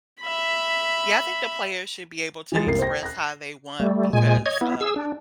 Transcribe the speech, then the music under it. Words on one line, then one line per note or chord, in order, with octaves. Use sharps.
Yeah, I think the players should be able to express how they want because, uh,
E5 B5
E3 F3 G#3 A6
C2 A#3 C7
C5 G5 A#6
F#6 A#6
G3 A3
A#2 G#3 G#5
C#5 D#5 G#6
B3 E4
G#4 E6
D4